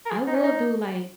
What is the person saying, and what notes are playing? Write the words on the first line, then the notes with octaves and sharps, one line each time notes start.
I will do, like,
A#4
G#4
D#4
C#4
D#4